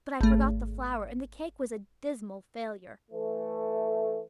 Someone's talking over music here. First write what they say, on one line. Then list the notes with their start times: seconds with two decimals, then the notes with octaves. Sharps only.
But I forgot the flour and the cake was a dismal failure.
0.21 G#1 A3
3.10 E3 A3